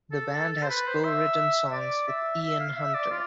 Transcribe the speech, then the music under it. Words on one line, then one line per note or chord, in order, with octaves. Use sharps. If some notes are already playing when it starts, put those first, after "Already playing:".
The band has co-written songs with Ian Hunter.
A4
A4
A4
C5
B4
C5
E5
D5
E5
E5
F5
E5
D5
F4